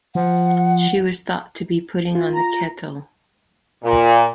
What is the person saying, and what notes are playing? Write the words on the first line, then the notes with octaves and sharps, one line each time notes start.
She was thought to be putting on the kettle.
F3 F#5
F4
A#5
A#2